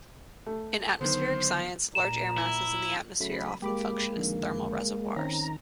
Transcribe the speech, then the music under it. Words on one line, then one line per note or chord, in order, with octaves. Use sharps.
In atmospheric science, large air masses in the atmosphere often function as thermal reservoirs.
A3
D3 D#3 F#3 B3 C5
A#2 A#5 E7
E4
C#3 F#3 A3 B5
G#3 A#3 G4 B5 D6
F2 D3 D#3
D#3 C4 C#4 A#5